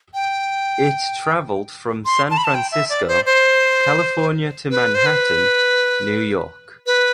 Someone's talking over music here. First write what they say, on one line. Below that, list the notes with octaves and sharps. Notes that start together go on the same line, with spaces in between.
It traveled from San Francisco, California to Manhattan, New York.
G5
C6
A5
B5
A5
G5
E5
D5
C5
C5
B4
C5
B4
B4